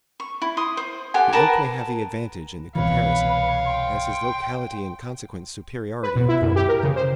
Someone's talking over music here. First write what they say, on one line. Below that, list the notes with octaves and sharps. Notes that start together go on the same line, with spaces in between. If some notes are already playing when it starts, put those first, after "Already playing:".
The oak may have the advantage in the comparison, as his locality and consequent superiority are permanent.
C#6
E4
C6 D#6
C5
G4 A4 F#5 G#5
A#4 B4 A5 A#5
C2 B2 E3 B4 C#5 F5
G5 C6
B4
B2
E4
F#2
G4
A#4
C#3
C5